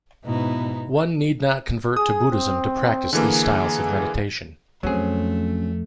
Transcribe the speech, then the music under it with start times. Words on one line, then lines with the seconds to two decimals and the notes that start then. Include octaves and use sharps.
One need not convert to Buddhism to practice these styles of meditation.
0.25 G#2 B2 B3 D#4 E4
1.97 G#4 D#6
2.32 C4
3.13 D3 E3 A#3 G#4
4.83 F2 F#3 A3 C4 C#4 G#4